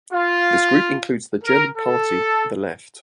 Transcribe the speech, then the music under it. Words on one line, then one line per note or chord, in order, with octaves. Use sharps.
This group includes the German party The Left.
F4
A#4
A4